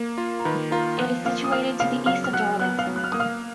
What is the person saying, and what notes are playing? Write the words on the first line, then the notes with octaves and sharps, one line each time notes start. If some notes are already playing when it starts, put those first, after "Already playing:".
It is situated to the east of Darlington.
Already playing: A#3
F4
A#5
D#3 B4 B5
F4 A#4 A#5
F3 F#5 F#6
A#3 F5 F6
D#6
A#3 F5 F6
C#3 F5 F6
F#3 F5 F6
F6
F#3 F#5 F#6
B3 F#5 F#6
F5 F6
F#3
F#6
F6
A#3 D#6
F5 F6